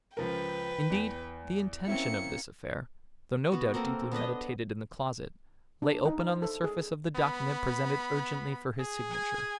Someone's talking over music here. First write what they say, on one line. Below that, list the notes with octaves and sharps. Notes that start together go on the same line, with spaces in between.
Indeed, the intention of this affair, though no doubt deeply meditated in the closet, lay open on the surface of the document presented urgently for his signature.
C#2 F3 A#4 B4 G5
E2
A#3 C4 C#4 E4 C#7
B3 F#4
A#3 C4 A4 A#4
B3 D4 B4 D#5
D4
D#4
C5
A4
G#4
B3 B5
G#4
G#5